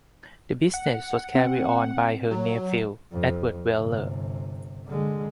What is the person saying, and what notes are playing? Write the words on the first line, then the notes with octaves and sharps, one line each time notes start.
The business was carried on by her nephew Edward Weller.
F#5
C4
F#3
F2
G1 C3
D3 G#3